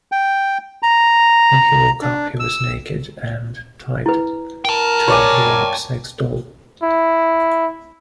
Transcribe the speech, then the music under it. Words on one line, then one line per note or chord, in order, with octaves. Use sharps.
When he woke up, he was naked and tied to a blow-up sex doll.
G5
A#5
D4
E6
E4 B4
A#4 G5 A5
C#5 D5 G#5
E4